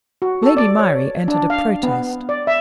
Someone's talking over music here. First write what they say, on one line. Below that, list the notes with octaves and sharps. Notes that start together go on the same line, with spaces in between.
Lady Myrie entered a protest.
F#4
A4
D5
C#5
D4
F5
B3
D5
E5